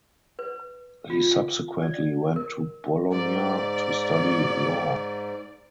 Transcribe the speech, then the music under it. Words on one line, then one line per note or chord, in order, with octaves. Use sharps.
He subsequently went to Bologna to study law.
B4
F4
D5
A#4
G#2 D5